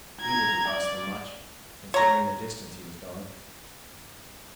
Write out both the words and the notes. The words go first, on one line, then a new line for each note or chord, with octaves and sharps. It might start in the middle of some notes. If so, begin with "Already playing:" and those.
He wouldn't cost them much, considering the distance he was going.
A#5 G#6
D5
C#5 A#5